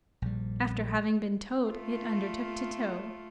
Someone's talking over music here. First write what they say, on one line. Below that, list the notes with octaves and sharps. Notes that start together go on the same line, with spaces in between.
After having been towed, it undertook to tow.
A#1 G3
A3 F4